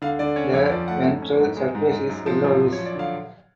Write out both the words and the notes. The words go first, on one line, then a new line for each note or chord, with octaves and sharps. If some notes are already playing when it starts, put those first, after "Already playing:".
The ventral surface is yellowish.
D3 F5
D3 D5
C#4 C#5
F2 C#5
F3 D5
A3 F#5
G#2
C#4
G#2
G#3
G#2
G#2
F#2
F3
F#2
F3
C#5
F3
D5
D3 F5